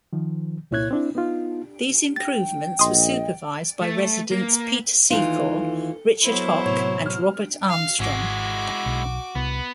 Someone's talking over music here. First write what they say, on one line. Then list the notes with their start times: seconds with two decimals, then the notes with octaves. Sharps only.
These improvements were supervised by residents Peter Secor, Richard Houck and Robert Armstrong.
0.13 D#3 F3
0.71 C2 A#2 E4 C#5 F#6 G#6
0.91 C4 D4 E4
1.15 B3 D#4 F4
2.16 G5 A6 A#6
2.79 A#1 D#5 C6 D#6
3.82 A3
4.31 A#3
5.10 D#2 E3 F4
6.23 F#3 B3 E4 C5
6.66 A2 C3 C#5
7.06 F6
7.69 F5
8.00 G#1 G#3 E4 F#4 D6
8.86 B1
9.35 C2 B3